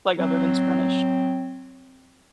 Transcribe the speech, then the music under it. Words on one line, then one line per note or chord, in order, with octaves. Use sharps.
Like other than Spanish?
F#3 C4